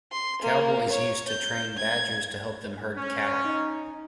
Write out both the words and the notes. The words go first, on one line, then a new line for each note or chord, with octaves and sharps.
Cowboys used to train badgers to help them herd cattle.
C6
A#3
C#5
G6
G#6
C#4
D#4